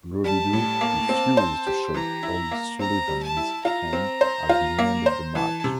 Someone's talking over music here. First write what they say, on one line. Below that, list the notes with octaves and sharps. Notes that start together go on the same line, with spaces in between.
Robidoux refused to shake O'Sullivan's hand at the end of the match.
G3 A5
A2
A#3
C4
C5
G4
E3 A#5
E4
A#3
C4 A#5
G3
A5
E4
F4 A#5
C4
C5
F4
A#3
C5
E3 A5
C3